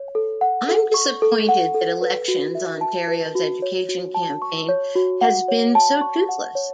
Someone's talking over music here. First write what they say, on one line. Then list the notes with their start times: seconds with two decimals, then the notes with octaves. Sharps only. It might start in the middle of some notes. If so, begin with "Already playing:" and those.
I'm disappointed that Elections Ontario's education campaign has been so toothless.
Already playing: C#5
0.15 A4
0.41 F#5
0.69 A4
0.94 C#6
1.22 A4
1.49 F#5
1.74 A4
2.02 B4
2.28 F#4
2.55 E5
2.81 A5
3.08 B4
3.35 F#4
3.62 C#5
3.89 F#4
4.15 A5
4.42 C#6
4.69 C#5
4.95 F#4
5.21 F#5
5.48 C#5
5.75 A5
6.01 C#6
6.29 F#5
6.55 C#5